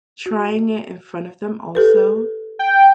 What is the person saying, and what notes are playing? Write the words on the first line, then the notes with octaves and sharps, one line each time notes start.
Trying it in front of them also.
F#4
G4 A4 B4
G5